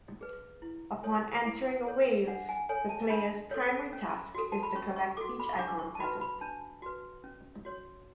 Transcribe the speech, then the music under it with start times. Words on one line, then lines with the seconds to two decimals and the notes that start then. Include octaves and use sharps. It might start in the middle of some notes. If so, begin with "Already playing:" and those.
Upon entering a wave, the player's primary task is to collect each icon present.
0.21 G#4 B4
0.62 E4
1.04 A4 C#5
1.45 E4
1.87 A4 C#5
2.27 D4 F#5
2.49 G#5
2.69 A4 C#5 G#5
2.89 A5
3.10 D4 B5
3.51 A4 C#5
3.93 C#4
4.35 F#4 A4
4.52 A5
4.63 B5
4.75 C#4 C#6
4.96 C#6
5.17 F#4 A4 D6
5.40 B5
5.48 C#6
5.59 D4 D6
5.79 C#6
5.95 A5
6.00 F#4 B4 B5
6.21 B5
6.41 D4 A5
6.82 F#4 B4
7.24 C#4
7.65 F#4 C#5